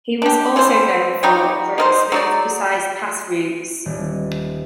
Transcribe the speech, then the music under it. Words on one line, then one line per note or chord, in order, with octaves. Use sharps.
He was also known for running smooth, precise pass routes.
D4 G4
E3 F3 G3 C5
G3 D#4 F#4 G4
D#4 A#4 C5
F#3 D#4 D5
D#1